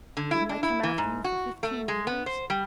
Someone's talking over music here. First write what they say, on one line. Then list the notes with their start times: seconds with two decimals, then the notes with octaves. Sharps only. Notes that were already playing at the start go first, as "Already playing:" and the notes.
Didn't I come after you for fifteen years?
0.17 D3
0.31 E4
0.49 D4
0.63 E4
0.83 E3
0.98 G#2
1.24 F#4
1.63 A3
1.88 G#3
2.07 B3
2.26 C5
2.50 G3